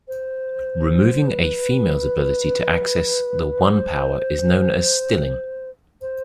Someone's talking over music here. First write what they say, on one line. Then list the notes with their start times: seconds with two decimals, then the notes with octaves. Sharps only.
Removing a female's ability to access the One Power is known as "stilling".
0.08 C5
1.27 B4
3.64 C5
6.01 C5